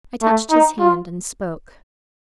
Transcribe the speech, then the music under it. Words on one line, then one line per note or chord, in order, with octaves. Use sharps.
I touched his hand, and spoke.
A3
D#4
F4